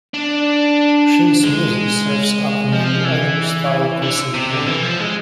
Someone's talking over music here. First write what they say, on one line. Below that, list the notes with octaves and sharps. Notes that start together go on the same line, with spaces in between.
Shin's music serves up nearly every style conceivable.
D4
G#3
F3
E3
D3
C3
D3
E3
F3
G#3